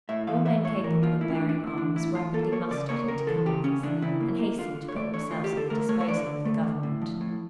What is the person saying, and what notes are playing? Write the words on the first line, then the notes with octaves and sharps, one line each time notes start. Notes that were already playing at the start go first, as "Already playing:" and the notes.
All men capable of bearing arms rapidly mustered into companies and hastened to put themselves at the disposal of the government.
A2 E5
E3 F5
A2 E5
A2 C#5
E3 A#4
A#3 F4
A2 E4
C#4
D4
A2
D4
A2
E4
E3 D4
A2 E4
E3 F4
A#3 A4
A#3 C#5
C#3 D5
A#3 C#5
C#3 A#4
E3 A4
C#3 G4
C#3 C#4
E3 D4
C#3 E4
A#3
A#3
D3 F4
D3
C#5
A3 D5
D3 C#5
A3 F4
G4
D3 A4
A3 A#4
A3 C#5
C#5
D3 D5
D3
A3
D3
A2
F3
A2